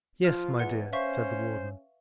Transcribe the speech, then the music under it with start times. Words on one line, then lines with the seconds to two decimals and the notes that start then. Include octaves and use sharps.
"Yes, my dear," said the warden.
0.24 F3 F4 F6
0.59 E2 B4 F#5
0.93 C#4 C5 E5 F5 C#6